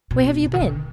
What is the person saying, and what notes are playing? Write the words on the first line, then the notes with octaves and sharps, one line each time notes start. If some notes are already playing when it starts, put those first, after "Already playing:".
Where have you been?'
B2
D3
D#3
D3